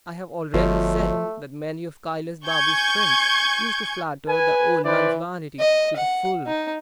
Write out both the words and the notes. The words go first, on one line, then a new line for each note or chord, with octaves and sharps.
I have already said that many of Kailas Babu's friends used to flatter the old man's vanity to the full.
G1 F3 A3 F#4 C#5 D#5
G#5 C#6 G6 G#6
B4 G#5
E3 B4 C5 D5
D#5
F#5
D#4